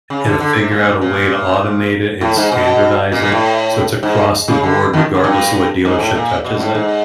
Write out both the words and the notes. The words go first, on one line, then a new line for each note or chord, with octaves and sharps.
and, uh, figure out a way to automate it and standardize it so it's across the board regardless of what dealership touches it,
C#3
D3
D3
C3
A#2
A#2
A2
G#2
B2
A#2
A#2
A2
G#2
C#3
D3
D#2 D#3
C#3
G2
G#2
A2
A#2
B2
A2
G#2